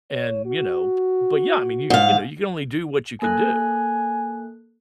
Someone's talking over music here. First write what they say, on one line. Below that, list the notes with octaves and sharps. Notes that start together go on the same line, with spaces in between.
and, you know but, yeah, I mean, you c you know, you can only do what you can do.
C#5
F#4
G#2 F5
A#3 A4 G#5 F#6